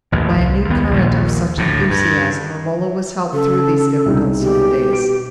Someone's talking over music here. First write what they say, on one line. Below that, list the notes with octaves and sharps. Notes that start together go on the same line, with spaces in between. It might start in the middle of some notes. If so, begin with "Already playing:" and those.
By a new current of such enthusiasm Romola was helped through these difficult summer days.
A1 D#2 A2
C2
D#2 B3
A#1 D#2 A#2
D2 A2
G2
C#3 A4
C2 G#3 D#4
B2 G4
D7